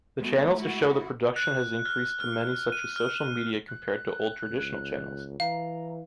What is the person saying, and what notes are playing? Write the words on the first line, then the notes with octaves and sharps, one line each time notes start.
The channels to show the production has increased to many such as social media compared to old traditional channels.
G#3 A3 B3 F#4
E4 F#4
F#6
F6
F6
D#7
F6
F#6
C#2
E3 F5 A#5